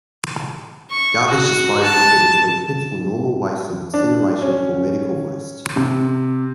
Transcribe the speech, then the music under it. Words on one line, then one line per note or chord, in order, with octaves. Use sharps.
Garbage disposal could include pits for normal waste and incineration for medical waste.
C#6
F#4
A5
D4
C#4
C3